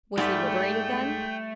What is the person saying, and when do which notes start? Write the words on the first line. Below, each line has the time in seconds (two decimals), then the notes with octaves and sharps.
"Was he liberated, then?"
0.17 G#2 G3 A3 B4 G5